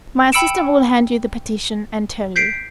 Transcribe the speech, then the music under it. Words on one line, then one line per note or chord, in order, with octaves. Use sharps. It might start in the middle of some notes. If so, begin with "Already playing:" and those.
"My assistant will hand you the petition and tell you."
G5 B5 E6 C#7 D7 E7
G6 B6 C7 D7